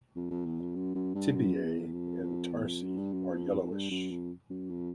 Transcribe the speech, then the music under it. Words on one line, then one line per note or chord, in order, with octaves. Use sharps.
Tibiae and tarsi are yellowish.
F2
F2
E2
F2
F#2
F#2
G2
F#2
E2
F2
F2
E2
F2
F#2
G2
F#2
F2
F2
G2
F#2
F2
F#2
F2